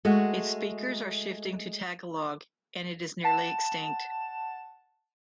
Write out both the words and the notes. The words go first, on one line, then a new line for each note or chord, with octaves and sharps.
Its speakers are shifting to Tagalog, and it is nearly extinct.
G#3 A3 F#4
F#5 A5 E7